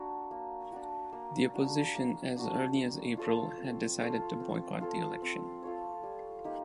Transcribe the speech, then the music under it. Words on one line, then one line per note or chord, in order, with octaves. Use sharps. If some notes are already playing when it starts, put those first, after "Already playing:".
The opposition, as early as April, had decided to boycott the election.
Already playing: A#3 D4 F#4
A#3
D4 F#4
A#3
D4 F#4
A#3
D4 F#4
C4
F4 A4 C#5
C4
F4 A4 C#5
C4
F4 A4 C#5
C4
F4 A4 C#5
G3
A#3 D#4 G4